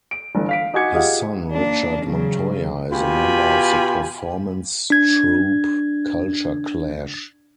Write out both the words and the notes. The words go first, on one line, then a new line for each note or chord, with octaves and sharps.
His son Richard Montoya is a member of the performance troupe Culture Clash.
D7
G1 E3
F5 B6 D7
D#4 F#4 G#5 D6 G#6 C#7
F4 G4 G#4 D#5 F5 F#5
A#3 D4
C#3 F#3
B2 F4 G4 G5 G#5 B5
D4 G#6